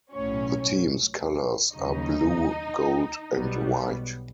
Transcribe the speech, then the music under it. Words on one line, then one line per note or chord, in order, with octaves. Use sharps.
The team's colors are blue, gold and white.
B1 A2 F#3 C#4 C#5
D#2 C#3 F#3 D#4 D#5
B1 B2 G3 B3